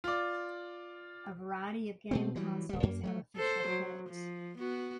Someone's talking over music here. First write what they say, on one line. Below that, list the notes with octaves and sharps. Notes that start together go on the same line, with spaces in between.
A variety of game consoles have official ports.
F4 D5
B2 A3 C4
E3 F#3 G3
D1 G3
F#2 A#3
F#3 G3 A3
A4 C5
F#3
F3
B3 F#4